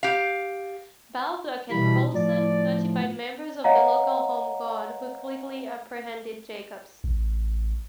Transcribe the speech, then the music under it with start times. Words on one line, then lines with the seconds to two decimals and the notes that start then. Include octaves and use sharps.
Baldock and Coulson notified members of the local Home Guard who quickly apprehended Jakobs.
0.03 G4 F5
1.71 B2 E3 G3 B5
2.14 A2 F3 D5
3.64 C#5 D#5 F5 F#5 A#5
7.04 A1